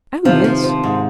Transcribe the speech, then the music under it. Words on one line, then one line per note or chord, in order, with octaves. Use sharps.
"Oh, yes."
C3 D#3 F3
F3
F3
G#2